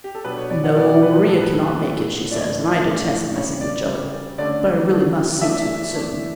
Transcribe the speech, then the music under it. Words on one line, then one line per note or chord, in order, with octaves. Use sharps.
"No. Maria cannot make it, she says, and I detest messing with jelly. But I really must see to it soon."
G4
A4
B2 F#3 B3 D4 B4
C#5
D5
F#5
B2 F#3 B3 D4 D5
D5
B4
G4
A2 F#3 B3 A4
B4
A4
B4
A2 F#3 B3
A2 E3 A3 D4 D5
A2 E3 A3 D4
C#3 G3 C#4 C#5
D5
C#3 G3 C#4
D3 A3 C#4 D5
D3 A3 C#4
E3 A3 D4 E5
E3 A3 D4